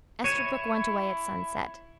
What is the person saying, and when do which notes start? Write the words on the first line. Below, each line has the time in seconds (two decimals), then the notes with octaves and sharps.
Esterbrook went away at sunset.
0.24 E4 C#5 C#7 D#7 E7